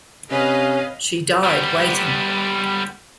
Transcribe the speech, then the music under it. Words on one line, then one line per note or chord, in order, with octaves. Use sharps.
She died waiting.
C3 C#4 B4 C#5 D#5 F5
G3 B3